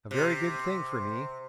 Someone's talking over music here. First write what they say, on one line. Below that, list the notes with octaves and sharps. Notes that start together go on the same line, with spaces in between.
A very good thing for me.
C3